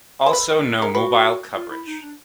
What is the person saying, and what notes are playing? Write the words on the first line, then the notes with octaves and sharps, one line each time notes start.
Also no mobile coverage.
G#4 C5
A4 B4
A#4
A4
G#4 A#4
F#4 B4
F4
E4
D#4
D4